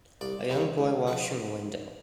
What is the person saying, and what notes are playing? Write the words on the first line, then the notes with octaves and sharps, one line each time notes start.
A young boy washing a window.
C2 D5
C3 E3 G3
C#2
C#3 F3 B4